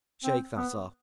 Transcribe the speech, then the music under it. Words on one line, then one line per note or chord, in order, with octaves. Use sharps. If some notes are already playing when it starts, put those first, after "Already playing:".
Shake that off!
C4
B3